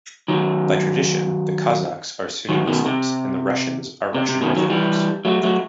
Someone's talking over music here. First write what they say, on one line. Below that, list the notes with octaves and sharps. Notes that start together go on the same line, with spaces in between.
By tradition the Kazakhs are Sunni Muslims, and the Russians are Russian Orthodox.
D#3 F#3
D#3 F#3
B2 D#3
C3
C3
C3
B2 D#3
D#3 F#3
E3 G3
F#3 A3
F#3 A3